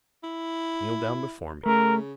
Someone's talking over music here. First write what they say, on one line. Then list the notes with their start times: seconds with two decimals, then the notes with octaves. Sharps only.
Kneel down before me.
0.24 E4
1.66 C#3 A3 A#4